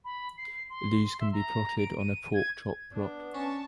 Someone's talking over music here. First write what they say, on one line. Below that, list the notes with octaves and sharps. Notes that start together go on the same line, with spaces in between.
These can be plotted on a porkchop plot.
B5
C7
C6
E5
A#5
D7
D#7
G#6
B3 D4
C#4 A5 C#6